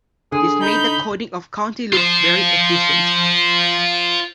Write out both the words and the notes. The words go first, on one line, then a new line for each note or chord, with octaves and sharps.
This made the coding of counting loops very efficient.
D3 G#4
D#4 B5 G6
F4 C5